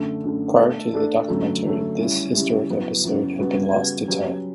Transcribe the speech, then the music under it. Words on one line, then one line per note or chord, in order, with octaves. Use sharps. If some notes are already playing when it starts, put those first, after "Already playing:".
Prior to the documentary this historic episode had been lost to time.
Already playing: F#2 D3 A3
F#2 D3 A3
A3 D4 A4
A3 D4 A4
F#2 D3 F#3 A3
F#2 D3 F#3 A3
C#3 G3 C#4 E4 G4
C#3 G3 C#4 E4 G4
F#2 C#3 F#3 B3 E4
F#2 C#3 F#3 B3 E4
C#3 G3 B3 F#4 B4
C#3 G3 B3 F#4 B4
F#3 C#4 G4 B4